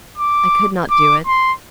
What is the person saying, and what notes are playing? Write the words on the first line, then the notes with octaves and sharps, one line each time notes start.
I could not do it.
D6
D6
C6